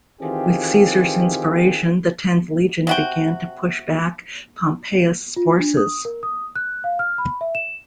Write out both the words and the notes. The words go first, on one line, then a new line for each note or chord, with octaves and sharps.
With Caesar's inspiration the tenth legion began to push back Pompeius' forces.
D#3 E3 C4 F4 G4 G#4
C3 F#4 G5
F4
D4
D#6
A#4
D#6
F#6
F5
F6
B5
E5
E7